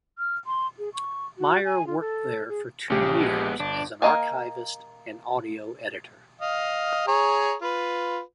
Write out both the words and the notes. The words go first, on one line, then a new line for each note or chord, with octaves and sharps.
Mayer worked there for two years as an archivist and audio editor.
F6
C6
G#4
C#6
F#4
G#5
F4
A4
G#4
A#1 C#3 G4
G#3 B3
G1 D4
A#3 F#4 D#5 F5 G#5
D#5 F5
G#4 C#5 A#5
F4 B4